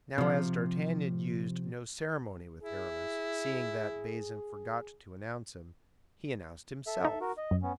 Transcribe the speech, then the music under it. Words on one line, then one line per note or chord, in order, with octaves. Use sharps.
Now, as d'Artagnan used no ceremony with Aramis, seeing that Bazin forgot to announce him, he announced himself.
C3 F3
E4 G#4
A4 E5
D#4
F#4 A#4
D#5
F#2
B3 C#4